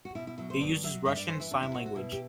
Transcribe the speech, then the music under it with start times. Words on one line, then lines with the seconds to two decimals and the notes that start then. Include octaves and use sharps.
It uses Russian Sign Language.
0.05 F#4
0.15 B2 E4
0.27 E4
0.38 F#3 E4
0.50 C5
0.61 G2 D5
0.83 F#3 E5
1.05 G2 E5
1.17 D5
1.28 E3 C5
1.40 E4
1.51 E2 D4
1.63 E4
1.74 C3 F#4
1.86 F#4
1.95 B2 E4
2.12 G4